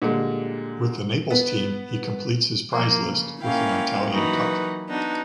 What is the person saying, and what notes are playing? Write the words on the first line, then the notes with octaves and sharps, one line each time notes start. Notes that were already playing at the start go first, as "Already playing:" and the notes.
With the Naples team, he completes his prize list with an Italian Cup.
A#2 D3 G3 G#3
B3
F3 A#3
C#3
A#3 C#4 E4 F5 G5
E3 F#3 A#3 D#4 F#4 B4
B3 D4 D#4 F#4